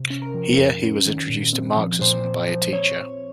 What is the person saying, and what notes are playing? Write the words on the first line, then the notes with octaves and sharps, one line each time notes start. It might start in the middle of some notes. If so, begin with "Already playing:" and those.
Here he was introduced to Marxism by a teacher.
Already playing: C3
C#4
A#4
F3
F2
C#4
D#3
A#2
C4
F3
A#2 C5
C4
F3
C#5